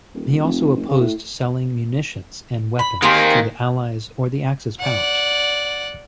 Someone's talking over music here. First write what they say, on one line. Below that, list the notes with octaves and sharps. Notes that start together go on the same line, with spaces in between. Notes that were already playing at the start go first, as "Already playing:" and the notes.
He also opposed selling munitions and weapons to the Allies or the Axis powers.
D#1
F1
F#1
C#3
A2
B5
D#3 A#3 C4 G4 G#4
D5 F#5